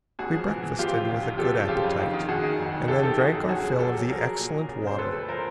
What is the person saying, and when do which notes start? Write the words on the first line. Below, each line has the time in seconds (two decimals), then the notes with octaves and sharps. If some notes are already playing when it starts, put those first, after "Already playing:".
We breakfasted with a good appetite, and then drank our fill of the excellent water.
0.19 G#2 F#4 G#4
0.34 F3
0.48 E3
0.64 E3
0.79 F3 F4 G4
0.94 C3
1.09 D2
1.23 C3
1.38 F3 G4 A4
1.53 C#3
1.68 F3 F4 G4
1.84 F2
1.99 D#3
2.13 D#3
2.28 D#3 F#4 G#4
2.43 D#3
2.58 F2
2.73 F2
2.88 C3 G4 A4
3.03 D#3 G4 A4
3.18 D#3 F#4 G#4
3.33 F#2
3.49 D2 F#4 G#4
3.63 F3
3.78 F#3 G4 A4
3.94 F#3
4.08 F#3 G#4 A#4
4.23 F#3
4.39 A#2
4.53 F#3
4.68 C#3
4.84 C#3 C5
4.98 D2 A4 B4
5.14 D2
5.28 F3 A#4 C5